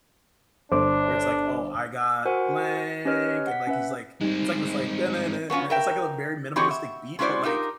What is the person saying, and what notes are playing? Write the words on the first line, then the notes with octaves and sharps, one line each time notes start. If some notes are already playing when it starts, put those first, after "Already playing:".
where it's like, "Oh, I got blank" and like he's like, it's like this like it's like a very minimalistic beat but like
G1 D4 C5 D6
F#4 A#4 C5 F#5 G#5
C#4 G4 B4 C#5 D#5 F6
F#5 B6
C#4 B4 E5
G3 G#3 C4 D#4
F#3 B3 C#4 F4
A#4 E5 G5
E3 C4 F#4 G4 C#5 D#5
E5
G#3 C#4 E4 F#4 C5 D5
D#4 F4 G4 A#4